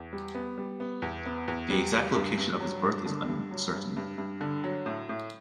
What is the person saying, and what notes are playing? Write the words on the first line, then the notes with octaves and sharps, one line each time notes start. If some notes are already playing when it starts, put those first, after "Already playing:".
The exact location of his birth is uncertain.
Already playing: E2
G3
B3
G3
B3
E2
B3
E2
G3
E2
G2
G2
F#3
G2
D3
G2
F#3
G2
G2
G2
D3
F#3
A2
A2